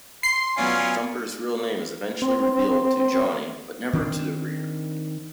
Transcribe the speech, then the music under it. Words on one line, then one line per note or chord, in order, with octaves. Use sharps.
Thumper's real name is eventually revealed to Johnny, but never to the reader.
C6 C7
F#3 B3 C#4 F4 D5 G#5
C4
D#3 C4 D4